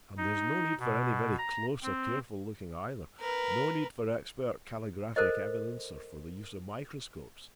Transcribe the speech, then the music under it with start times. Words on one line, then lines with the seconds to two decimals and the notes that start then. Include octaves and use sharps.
And--there's no need for any very close or careful looking, either!--no need for expert calligraphic evidence, or for the use of microscopes.
0.17 D#4
0.79 B2
1.38 A#5
1.83 C4
3.20 A#4 B4
5.16 A4 A#4 C5 D#5